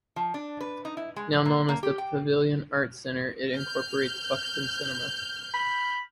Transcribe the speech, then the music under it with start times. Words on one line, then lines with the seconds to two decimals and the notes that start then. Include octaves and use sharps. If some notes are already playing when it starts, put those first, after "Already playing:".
Now known as The Pavilion Arts Centre it incorporates Buxton Cinema.
0.16 F3
0.34 D4
0.61 B4
0.85 D#4
0.97 E4
1.16 G#3
1.33 F3
1.45 A#3
1.69 A#3
1.83 G4
1.98 G5
3.52 F6 G6
5.54 B5